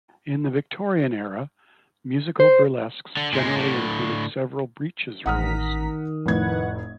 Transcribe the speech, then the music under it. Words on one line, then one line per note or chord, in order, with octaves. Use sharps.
In the Victorian era, musical burlesques generally included several breeches roles.
C5
D3
A#2 G#3
A2 D3
A1 D#3 F#5 A#5 D#6 F6 B6
F1 A2 B4 F#5 G#6